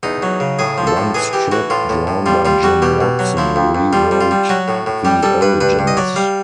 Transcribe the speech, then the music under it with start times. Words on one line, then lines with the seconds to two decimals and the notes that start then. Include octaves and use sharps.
One strip drawn by Jim Watson rewrote the origins.
0.03 E2 D#4
0.22 F#3
0.40 C#3
0.59 A2 G#4
0.78 F3
0.87 A4
0.96 A2
1.14 E3 G#4
1.33 E3 G4
1.52 E3 F#4
1.70 A2 F4
1.89 A2
2.07 A2
2.26 G3 F4
2.45 G3 F4
2.63 G3 F#4
2.82 B2 G4
3.01 B2
3.19 F#3
3.37 F3 E4
3.56 F2
3.75 F2
3.93 G3 F4
4.11 G3
4.21 F4
4.31 G3
4.49 F#3 F#4
4.68 A2
4.86 A2
5.05 G3 G4
5.23 G3 A4
5.41 G2 B4
5.61 G2 B4
5.79 G2
5.87 D#5
5.97 F#3 D5
6.16 G3 F5